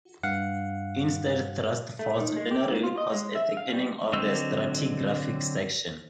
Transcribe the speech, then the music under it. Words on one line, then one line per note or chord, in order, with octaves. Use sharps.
Instead thrust faults generally cause a thickening of the stratigraphic section.
G2 F5 F#5
A3
D#3
G#3
G4
G#2
F4
D#5
G#3
E5
F5
G3
D3 F#3 C4 D#5 E6